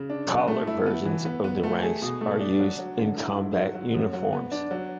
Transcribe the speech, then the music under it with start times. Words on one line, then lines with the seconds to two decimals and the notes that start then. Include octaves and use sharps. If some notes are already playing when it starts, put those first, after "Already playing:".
Collar versions of the ranks are used in combat uniforms.
Already playing: C#3
0.10 D4
0.29 F#3
0.48 A3
0.67 E4
0.86 B3
1.05 E3
1.25 B3
1.44 B3
1.64 A3
1.83 G#4
2.02 B2
2.21 A3
2.40 D4
2.60 F#3
2.79 F#3
2.98 D3
3.17 E4
3.36 G#2
3.56 F#3
3.74 F#3
3.94 F#2
4.13 F#3
4.33 B3
4.52 D4
4.71 F#3